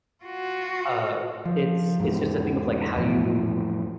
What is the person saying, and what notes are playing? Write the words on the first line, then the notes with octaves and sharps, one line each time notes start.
uh, it's it's just a thing of, like, how you
F4 F#4
F3
E2 G#2
F2 A2 E3